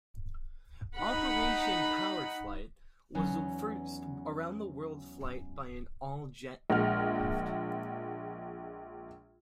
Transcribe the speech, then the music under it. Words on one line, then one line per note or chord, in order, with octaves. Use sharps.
"Operation Power-Flite" was the first around the world flight by an all-jet aircraft.
D#4 F#5 B5
E2 F#3 B3 C#4 D#4
A#1 G#3 F#5 F6